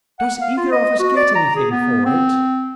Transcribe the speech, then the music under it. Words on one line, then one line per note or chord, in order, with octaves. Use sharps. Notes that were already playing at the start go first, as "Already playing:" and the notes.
"Does either of us get anything for it?"
F#5
F5
F4
D#5
F#4
D5
A#5
G#4
B3
C4